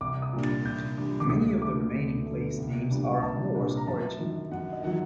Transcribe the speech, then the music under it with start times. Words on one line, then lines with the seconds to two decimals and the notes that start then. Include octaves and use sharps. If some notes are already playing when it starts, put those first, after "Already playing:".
Many of the remaining place names are of Norse origin.
0.01 C2 D6
0.22 D#6
0.33 A#2 G3 D4
0.44 A6
0.65 C2 G6
0.98 A#2 G3 D4
1.20 D6
1.29 D2 D#6
1.62 D3 A3 D6
1.93 D2
2.26 D3 A3
2.58 C2
2.91 A#2 G3 D4
3.22 C2 A5
3.55 A#2 G3 D4
3.77 A#5
3.87 F#2 A5
4.19 D#3 F#3
4.51 F#2 F#5
4.72 D#5
4.83 D#3 F#3 F#5